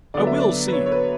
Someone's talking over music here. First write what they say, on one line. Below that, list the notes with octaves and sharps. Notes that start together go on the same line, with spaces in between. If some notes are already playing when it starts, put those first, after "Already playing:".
I will see!
D3 F#3 B3 D5
E5
D5
B4
C#5
C#5
B4